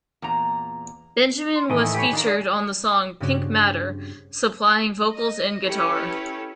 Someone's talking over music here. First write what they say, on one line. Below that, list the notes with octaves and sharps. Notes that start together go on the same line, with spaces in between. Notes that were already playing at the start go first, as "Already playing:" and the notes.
Benjamin was featured on the song "Pink Matter," supplying vocals and guitar.
E2 A#2 A#5
C6
A2 D#3 E3 D#5 G#5
G#5
G4 B4 C#5
D#3 D4 F4 A#4
D5 D#6
G2 C#3 C4 C#4 F#4 G4
D#5
C#4 E4 G4 A4 B4 C#5